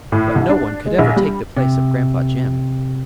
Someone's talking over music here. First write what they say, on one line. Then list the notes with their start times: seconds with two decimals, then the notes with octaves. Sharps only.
But no one could ever take the place of Gran'pa Jim.
0.12 A2
0.36 C2
0.49 D4
0.86 G#3
0.99 A#1
1.16 G3
1.57 C3